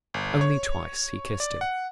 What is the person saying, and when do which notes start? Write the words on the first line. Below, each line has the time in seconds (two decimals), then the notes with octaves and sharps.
Only twice he kissed him.
0.14 G1
0.41 C#5
1.40 D5
1.61 F#5